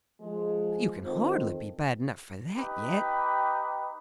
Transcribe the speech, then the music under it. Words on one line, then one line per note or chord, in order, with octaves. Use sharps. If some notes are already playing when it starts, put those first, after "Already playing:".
But you can hardly be bad enough for that yet.
F3 G#3
D#3 C4 F4 A4 C5
D#4 G4 B4 G5 B5